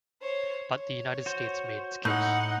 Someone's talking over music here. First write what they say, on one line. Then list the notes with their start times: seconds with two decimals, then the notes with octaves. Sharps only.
But the United States made its case.
0.22 C5 C#5
0.72 C#5
1.26 F#4 C5
2.05 A2 D#4 F#5 G6